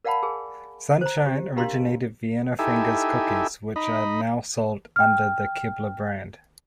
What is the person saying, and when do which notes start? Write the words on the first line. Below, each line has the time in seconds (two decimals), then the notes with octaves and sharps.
Sunshine originated Vienna Fingers cookies, which are now sold under the Keebler brand.
0.05 A#4 D5 F5 F#5 A5 B5
0.23 G#4 A#4 G#5
1.01 C5 A#5
1.26 G4
1.57 D4 G4 A#4 F5 A#5 C6
2.59 D#4 E4 G4 A4 E5 G#5
3.76 D#4 D#5 B5
4.96 G5 F6